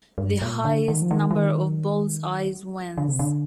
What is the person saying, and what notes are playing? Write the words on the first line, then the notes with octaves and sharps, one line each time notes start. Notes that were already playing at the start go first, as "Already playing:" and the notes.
The highest number of bulls-eyes wins.
G2
A#2
D3
D#3
F3
D#3
F3
D#3
D3
C3
D3